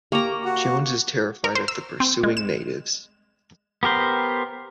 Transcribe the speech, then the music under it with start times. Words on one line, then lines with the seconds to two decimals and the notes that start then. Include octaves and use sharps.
Jones is terrified of the pursuing natives.
0.12 A#3 G4 A#5 C#6 D6
0.45 F#4
1.44 A#4
1.55 C5
1.68 E6
2.00 C4
2.23 G#3
2.37 E7
3.83 B3 G4 A#4 C5